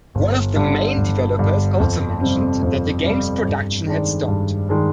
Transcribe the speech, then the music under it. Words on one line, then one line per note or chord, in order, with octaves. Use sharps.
One of the main developers also mentioned that the game's production had stopped.
G1
G2 D3
G1
G2 D3
F2
C3 G3 C4
F2
C3 G3 C4
G2
D#3 G#3 D4
G2
D#3 G#3 D4